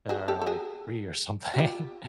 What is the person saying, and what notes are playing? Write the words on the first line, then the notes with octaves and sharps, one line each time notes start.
that are, like, free or something,
F#4 G#4
G4 A4
A4
F#4 G#4
F#4
F4 G4